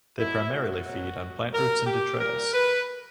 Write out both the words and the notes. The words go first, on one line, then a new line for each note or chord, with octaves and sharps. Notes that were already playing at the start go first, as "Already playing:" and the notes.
They primarily feed on plant roots and detritus.
B2 F#3 E4
F#4
B2 F#3
B2 F#3 A#4
G4
A#2 G3 A#4
B4